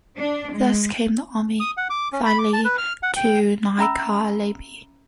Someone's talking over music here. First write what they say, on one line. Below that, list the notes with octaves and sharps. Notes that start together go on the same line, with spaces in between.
Thus came the army finally to Nykarleby.
D4
G#3
D#6
F#5
D6
C#4
B5
D6
A5
B4
F6
F#5
G5
C#4 E5 A#5 B5 E6